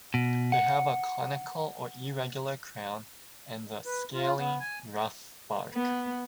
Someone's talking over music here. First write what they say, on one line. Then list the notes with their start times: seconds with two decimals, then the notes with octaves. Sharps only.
They have a conical or irregular crown and a scaly, rough bark.
0.14 B2
0.52 F#5
3.86 B4
4.14 F4
4.39 B3
4.60 G#5
5.74 B3